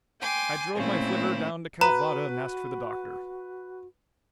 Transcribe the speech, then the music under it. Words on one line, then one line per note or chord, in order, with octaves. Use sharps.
I drove my flivver down to Calvada and asked for the Doctor.
G5 G#5 C6 D6
A#2 C#3 A3 A#3 C4 E4
F#4 B4 A#5